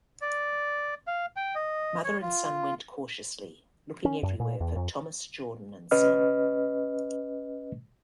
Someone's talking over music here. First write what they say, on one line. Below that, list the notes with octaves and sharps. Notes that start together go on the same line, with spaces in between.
Mother and son went cautiously, looking everywhere for “Thomas Jordan and Son”.
D5
F5
G5
D#5
C#5
F4
C#4
F#2
A#2
E2
F2
C#4 B4 D#5 F6